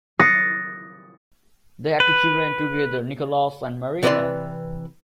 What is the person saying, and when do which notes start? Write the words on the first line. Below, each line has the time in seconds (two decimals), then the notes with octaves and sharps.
They had two children together: Nicolas and Marina.
0.19 D#6 F#6 A6 A#6 C7 C#7
2.00 B4
4.03 C3 E3 B4 C5 D5 C6